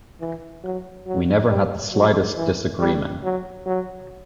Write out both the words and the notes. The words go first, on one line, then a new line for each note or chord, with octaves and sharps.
We never had the slightest disagreemen.
E3
F#3
F#3
G3
F#3
E3
G3
F#3
F#3